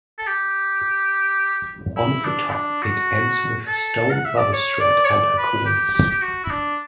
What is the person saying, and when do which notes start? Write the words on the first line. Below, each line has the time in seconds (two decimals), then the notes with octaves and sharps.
On the top it ends with a stone balustrade and a cornice.
0.18 A4
0.27 G4
1.96 E4
2.25 D4
2.49 E4
2.53 D4
2.82 F#4
3.67 A4
4.11 F#5
4.25 E5
4.38 D5
4.53 C#5
4.80 D5
5.05 C#5
5.09 D5
5.38 B4
5.66 G4
5.94 G4
6.11 G4
6.22 F#4
6.44 E4
6.50 D4